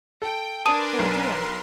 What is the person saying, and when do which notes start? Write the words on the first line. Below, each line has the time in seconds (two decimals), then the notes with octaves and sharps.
Oh, dear!
0.22 A4 G5
0.66 D4 A#4 B4 G#5 A5 C6 D#6 D#7
0.99 B1